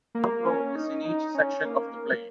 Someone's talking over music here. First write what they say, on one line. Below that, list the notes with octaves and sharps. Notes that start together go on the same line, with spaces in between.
One row is in each section of the plane.
A#3
C#4
D#4
D#4
C#4
A#3